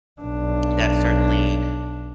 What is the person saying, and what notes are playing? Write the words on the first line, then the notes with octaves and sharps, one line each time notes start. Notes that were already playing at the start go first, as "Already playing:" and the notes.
that certainly,
B1 D4